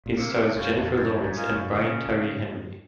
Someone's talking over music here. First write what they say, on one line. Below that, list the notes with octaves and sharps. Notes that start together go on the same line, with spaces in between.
It stars Jennifer Lawrence and Brian Tyree Henry.
A#2
C3 A#3
C3
F#2 F4 C5 F5 G#5
F2
F#2 C4
G#2
F4 A#4 D#5 G#5
F#2
C#3 C#4